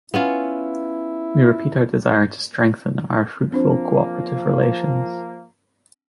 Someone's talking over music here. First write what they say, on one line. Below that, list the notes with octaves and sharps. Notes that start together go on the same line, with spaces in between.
We repeat our desire to strengthen our fruitful cooperative relations.
B3 C#4 E4 F4
F3 A#3 C4 D4 C5